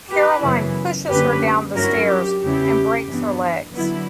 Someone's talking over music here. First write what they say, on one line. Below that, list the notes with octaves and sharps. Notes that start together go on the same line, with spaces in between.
Caroline pushes her down the stairs and breaks her legs.
G4 B4
F#2 C#3 E3 B3 E4
F#2 D3 A#3 C#4 G4 B4
G2 F#3 C#4 E4 F#4 A#4
G4
E2 C#3 E3 B3 E4 G4
G2 E3 B3 D4
D3 F#3 B3 E4